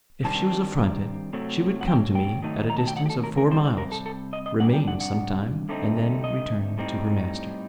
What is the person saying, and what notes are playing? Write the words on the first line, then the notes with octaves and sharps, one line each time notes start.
If she was affronted she would come to me, at a distance of four miles, remain some time, and then return to her master.
G2 D#3 G3 C4 A5
C3 F#3 A3 C4
F#5
G5
G5
D#3 F#3 A3 D#4
A#5
A5
G5
F#5
G4
A4
A#4
A#4
C3 G3 C4 C5
D5
A#4
A4
A4
D#5
D#5
C3 G3 D4 F#5
G5
F#5
F#5
G2 D3 A3 C4 D#4
D#5
A2 G3 C4 D#4